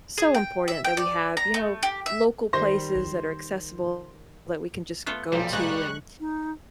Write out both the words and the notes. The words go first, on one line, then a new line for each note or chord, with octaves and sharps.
so important that we have, you know, local places that are accessible that we can just go to and,
G#4
G5
E5
G5
D5
A#5
A3
G4
E5
D#3 G3 C5 C6 A#6
A3 B3 F4 A4
B1 A#2 F3 G3 C5
G#3 A#5 C#6 F#6
D#4